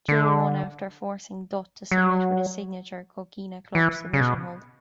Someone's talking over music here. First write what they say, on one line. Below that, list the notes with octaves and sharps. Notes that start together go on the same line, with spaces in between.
Joe won after forcing Dutt to submit with his signature Coquina Clutch submission hold.
D3
F#3
E3
C#3
B2